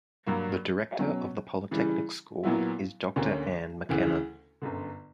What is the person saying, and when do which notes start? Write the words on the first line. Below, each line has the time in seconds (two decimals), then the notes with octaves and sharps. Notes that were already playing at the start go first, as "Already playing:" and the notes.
The director of the Polytechnic School is Doctor Ann McKenna.
0.26 G2 F#3 A#3
0.99 B2 F#3 C#4
1.71 C#3 E3 G3
2.43 A#2 F#3 B3 E4
3.16 D2 D3 A#3 C#4 G4
3.89 D2 C#3 E3
4.62 G1 F#2 D3